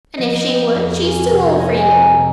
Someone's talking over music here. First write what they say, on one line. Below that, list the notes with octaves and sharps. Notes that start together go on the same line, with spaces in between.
And if she would, she is too old for you.
F3 D#5
C4
F2
C#4
C3 F5
C#5
C4 D#5
G#5
C#4 A#5
C3